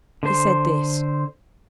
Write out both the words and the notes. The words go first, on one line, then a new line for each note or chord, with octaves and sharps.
He said this.
D3 C5